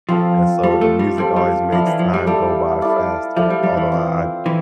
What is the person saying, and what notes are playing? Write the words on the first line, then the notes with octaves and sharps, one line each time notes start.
and so, the music always makes time go by faster, although I
F3 C4 F4 A4
G3 C4 F4 A4
A3
G3
G3 C4 F4 A4
G3
F3 E4 A4 D5 F5
E3
F3
G3
G3 E4 A4 D5 F5
E4 A4 D5 F5
F3 E4 A4 D5 F5
G3
G3
E3
C4 F4 C5
E3 C4